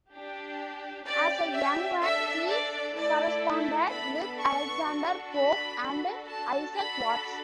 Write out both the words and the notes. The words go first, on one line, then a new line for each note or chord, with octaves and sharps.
As a young man, he corresponded with Alexander Pope and Isaac Watts.
D4 G4
C#4 G4 D5
E5
D4 A4 E5
D5
A3 E4 A4 D5
E5
B3 D4 A4 B5
C#6
D4 F#4 A4
B5
D4 F#4 A4
A5
D4 F#4 A4 B5